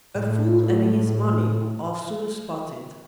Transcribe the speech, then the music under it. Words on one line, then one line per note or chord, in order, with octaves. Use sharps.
A fool and his money are soon spotted.
A2